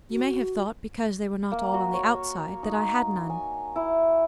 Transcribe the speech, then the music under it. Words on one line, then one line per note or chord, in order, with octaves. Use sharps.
You may have thought, because they were not all on the outside, that I had none.
F#4
A#3
F#4
C#5
D#4
G#5
E4